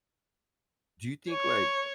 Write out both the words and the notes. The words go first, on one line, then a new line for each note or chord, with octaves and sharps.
do you think like
C#5 C#6